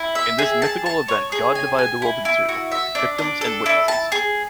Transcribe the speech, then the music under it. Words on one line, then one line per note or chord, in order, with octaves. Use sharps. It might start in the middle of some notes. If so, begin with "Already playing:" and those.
In this mythical event God divided the world in two, victims and witnesses.
Already playing: E4
E5
G#4
A5
A5
C#5
G#4
G#5
G#5
E4
E4
F#4
E5
D4
D4
A4
E4
A5
G#4